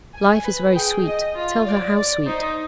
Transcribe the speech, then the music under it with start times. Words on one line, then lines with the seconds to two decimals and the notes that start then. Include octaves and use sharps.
Life is very sweet,--tell her how sweet.
0.14 G#5
0.44 B4
0.75 G#4 G5
1.05 D#5
1.35 F4
1.66 D5
1.96 D5
2.25 D#4 C5